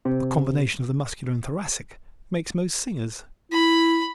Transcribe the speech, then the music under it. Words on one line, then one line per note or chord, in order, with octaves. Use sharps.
A combination of the Muscular and Thoracic makes most singers.
C3
E4 B5